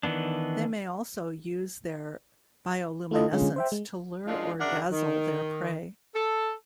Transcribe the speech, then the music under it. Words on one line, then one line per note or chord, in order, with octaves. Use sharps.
They may also use their bioluminescence to lure or dazzle their prey.
D#3 E3 B3 D4
A3 E4 F4 A4 D#5
D3 G#3 C#4 F4 G#4
C5 E5 G5
G#3
F#2 F3 G#3 D4 D#4 F4
F#2 C#3 D4 A#4 E5 F#5
D#3
A4